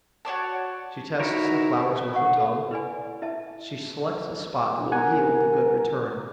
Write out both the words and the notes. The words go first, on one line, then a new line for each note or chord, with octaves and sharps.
She tests the flowers with her tongue; she selects a spot that will yield a good return.
F#4 C#5 D5 A5
D#4 E4 F#4 A#4 C#5
C#5
C#5 F#5 C#6
A4 D#5
E4 B4 D5 G#5
E4 D#5 E5 A5
A#4 F#5 G#5